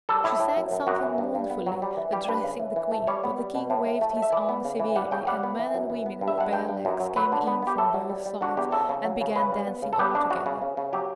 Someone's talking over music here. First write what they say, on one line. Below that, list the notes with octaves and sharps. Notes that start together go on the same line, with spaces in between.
She sang something mournfully, addressing the queen, but the king waved his arm severely, and men and women with bare legs came in from both sides and began dancing all together.
G3 A4
A2 E4
A2
F#2
F#2
F#2 F#4
E3
G2
G2
B3
F#3
G3
E3
G3 G4
G2 B4
C#3
E3
E3
A3
G3 C#5
B3
G3
B2
A2
A2
A3
A3
E5
E3 D5
B3
C#3
E3
G3 F#5
C#3 G5
G3 F#5
B3
E3
F#2
E3
B3
G2
E5
G2 F#5
G2 G5
G2
F#2
F#3
F#3 B4
D3
B3
B3 G4
A2 A4
F#3
G3
G3
D3 F#4
E2 G4
C#3 A4
C#3
F#3
C#3
C#3 B4
G3
B3
C#3
A4
B3 G4
C#3 D4
C#3 F#4
C#3
C#3
C#3
F#3 G4